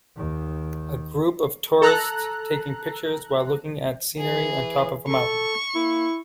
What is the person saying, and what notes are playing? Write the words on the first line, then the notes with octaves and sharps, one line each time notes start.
A group of tourist taking pictures, while looking at scenery on top of a mountain.
D#2 D#3
A4 A#5 F#6
E3 G#4
A4 C#6
A#3 E4